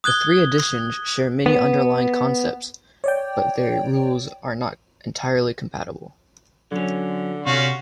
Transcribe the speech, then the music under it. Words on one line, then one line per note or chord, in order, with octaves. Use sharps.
The three editions share many underlying concepts, but their rules are not entirely compatible.
D#6 F#6 G#6 G7
B3
C#5 D5 G5
D3 F#3 C#4
C3 C#4 F#4 F5